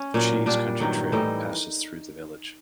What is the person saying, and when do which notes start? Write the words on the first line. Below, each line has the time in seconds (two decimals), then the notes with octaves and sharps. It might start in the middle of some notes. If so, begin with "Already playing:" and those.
The Cheese Country Trail passes through the village.
Already playing: C#4
0.14 A#2 F#3
0.46 A#2 G3 D4
0.80 G2 D#3 F#3
1.12 A2 E3 G3 D#4